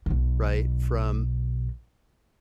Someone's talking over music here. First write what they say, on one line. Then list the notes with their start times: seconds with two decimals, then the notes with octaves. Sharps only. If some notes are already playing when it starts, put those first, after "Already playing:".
right, from
0.06 B1 B2